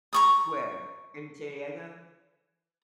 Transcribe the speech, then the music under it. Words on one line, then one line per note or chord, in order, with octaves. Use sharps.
Where? In San Diego?
A#5 C#6 D#6